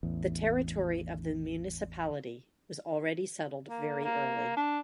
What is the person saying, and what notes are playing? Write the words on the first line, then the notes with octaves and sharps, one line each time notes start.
The territory of the municipality was already settled very early.
A1 E2
A#3
A#3
D4